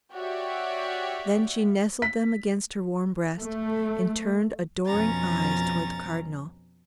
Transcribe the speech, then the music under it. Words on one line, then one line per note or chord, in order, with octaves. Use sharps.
Then she nestled them against her warm breast, and turned adoring eyes toward the Cardinal.
F#4 G4 C#5 D5 E5
B6
A3
F2 B2 F3 C#4 A#5 A6